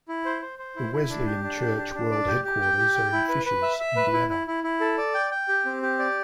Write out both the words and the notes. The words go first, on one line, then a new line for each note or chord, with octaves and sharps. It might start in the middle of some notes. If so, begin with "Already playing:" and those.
The Wesleyan Church world headquarters are in Fishers, Indiana.
E4
C5
C5
C5
E4
E4
D4
G4
D4
G4
D4
D4
D5
G4
G4
G5
G4
G5
E4
B4
B4
E5
E5
B4
E4
E4
E4
E4
A4
D5
G5
G5
G4
C4
G4
D5